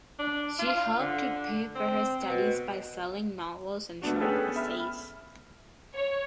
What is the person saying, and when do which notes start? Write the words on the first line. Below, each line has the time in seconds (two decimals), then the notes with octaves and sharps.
She helped to pay for her studies by selling novels and short essays.
0.19 D4
0.59 F4
0.99 D3
1.75 C4
2.29 B2
4.02 A3 B3 D4 F#4
4.20 B3 C#4 G#4 A4 B4 G5
4.56 E5 B5 F6
5.95 C#5